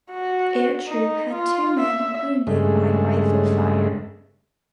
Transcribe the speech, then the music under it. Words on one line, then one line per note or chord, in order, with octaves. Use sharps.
Air Troop had two men wounded by rifle fire.
F#4
D#4
F4
E5
G2 C#3 G#3 A3